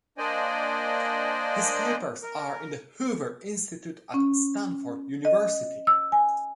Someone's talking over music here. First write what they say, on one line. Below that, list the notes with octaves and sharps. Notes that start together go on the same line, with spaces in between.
His papers are in the Hoover Institute at Stanford University.
A#3 D4 C5 D5 D#5 G#5
A#4
C#4
D#5
E6
G#5